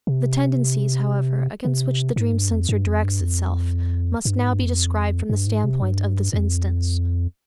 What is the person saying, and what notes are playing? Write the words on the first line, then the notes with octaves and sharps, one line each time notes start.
The tendencies, however, against which the dream censor directs itself, must now be described from the standpoint of this instance.
C3
C3
G#2
G2
F2
G2
F2
G2
F2
G2
G#2
G2
F2
G2
G#2
C3
G2
F2